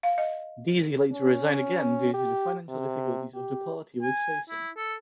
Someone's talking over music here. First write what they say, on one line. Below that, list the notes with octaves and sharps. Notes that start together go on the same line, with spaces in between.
Deasy later resigned again due to the financial difficulties of the party was facing.
F5
D#5
C#4
G4
C3
G4
G#5
E4
A4